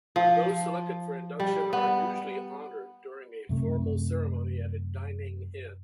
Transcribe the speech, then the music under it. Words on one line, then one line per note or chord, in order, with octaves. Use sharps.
Those selected for induction are usually honored during a formal ceremony at a dining-in.
F3
G3
B3
F#2 C3 A3